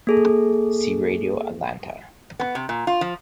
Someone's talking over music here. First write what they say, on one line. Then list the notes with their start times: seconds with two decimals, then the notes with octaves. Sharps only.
See Radio Atlanta.
0.07 A#3 G#4 A4
2.40 B3
2.55 C3
2.69 A#2
2.87 F4
3.01 F3